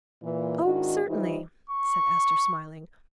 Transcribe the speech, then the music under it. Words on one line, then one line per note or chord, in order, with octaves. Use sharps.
"Oh, certainly," said Esther, smiling.
A#2 E3
G#2 D#3 D4 E4 F#4
E3 G3 D#4 F4 G4 C5
C#6